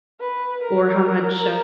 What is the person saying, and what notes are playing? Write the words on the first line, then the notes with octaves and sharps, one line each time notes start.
or how much,
B4
A#4